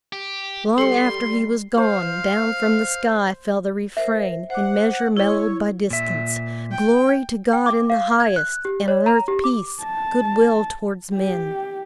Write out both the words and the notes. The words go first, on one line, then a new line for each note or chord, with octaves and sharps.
Long after he was gone, down from the sky fell the refrain in measure mellowed by distance, "Glory to God in the highest, and on earth peace, good-will towards men."
G4
G3 A4 C6 C7 C#7
C5 F5
A#4 C5 E5
C5 F#5 D6
E4 C#5
A#2 E5
G5
G5
D6
F5
G#6
F#6
G4
C#5
A#5
G4
D6
A5
G4